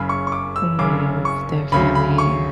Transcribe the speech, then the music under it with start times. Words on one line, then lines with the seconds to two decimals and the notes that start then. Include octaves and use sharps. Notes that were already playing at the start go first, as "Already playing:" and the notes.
Yes, definitely,
Already playing: F#1 F#2 C#3 B5
0.09 C#6
0.27 C#6
0.32 D6
0.56 E6
0.79 F#1 F#2 C#3 D6
1.25 C#6
1.72 D2 C#3 F#3 B5
1.95 B5
2.18 C#6